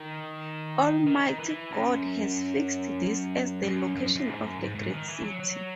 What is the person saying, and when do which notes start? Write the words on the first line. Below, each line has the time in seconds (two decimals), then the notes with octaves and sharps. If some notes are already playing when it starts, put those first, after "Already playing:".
Almighty God has fixed this as the location of a great city.
Already playing: D#3
1.06 D#3
1.39 E3
1.71 F#2
3.64 F#2
3.96 F#2
4.15 F#2
4.28 G#2
4.43 F#2
4.59 G#2
4.75 G#2
4.92 D#3
5.08 E3
5.24 F#3
5.39 F#3